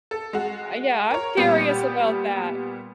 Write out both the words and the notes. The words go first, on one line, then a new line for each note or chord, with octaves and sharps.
Uh, yeah, I'm curious about that.
A4
G#3 F#4
A#4 C#5
A#2 G3 B3 G4